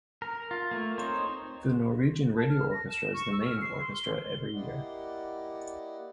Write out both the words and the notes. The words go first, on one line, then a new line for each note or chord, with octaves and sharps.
The Norwegian Radio Orchestra is the main orchestra every year.
A#4
F4
A3 A#3
C4 D#4 C5 C#5
A5
F6
A#6
E7
C#6
E6
F6
C7
C6
G7
A#3 E4 G4 D5 D#5 F#5